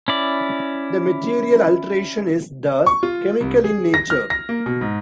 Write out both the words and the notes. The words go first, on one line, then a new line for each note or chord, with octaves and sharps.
The material alteration is thus chemical in nature.
C#4 E4 D5
C#6
F4
C2
G#4
A#6
F6
A#6
A#3
B2
G#2